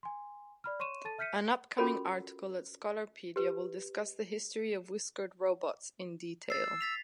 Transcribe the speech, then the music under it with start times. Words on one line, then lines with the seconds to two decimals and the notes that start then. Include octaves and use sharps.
An upcoming article at Scholarpedia will discuss the history of whiskered Robots in detail.
0.03 G#5 C6
0.64 D5 B5 F6
0.80 C#5 C6 C#6 D#7 E7
1.05 A4 A5 A6 D#7
1.18 E5 F6 G6 B6 C#7 D#7
1.78 C#4 F4 F#4 A4 A#4 B5
3.36 G4 B4
6.50 E6 A6 C7
6.81 A6 B6 F7